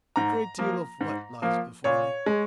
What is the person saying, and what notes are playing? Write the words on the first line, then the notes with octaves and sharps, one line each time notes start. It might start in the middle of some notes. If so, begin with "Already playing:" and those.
"A great deal of what lies before me?"
G#2 A#5
F3 A#3
G#2
F3 A#3
A#2 C#5
G#3